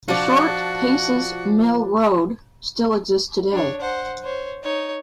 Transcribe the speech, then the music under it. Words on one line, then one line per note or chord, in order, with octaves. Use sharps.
The short Paces Mill Road still exists today.
F3 D4 F#4
D4 C#5
C5 F#5
C5 C#5
D#4 C#5